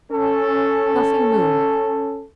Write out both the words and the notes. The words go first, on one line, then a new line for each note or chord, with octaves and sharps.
Nothing moved.
C#4 A4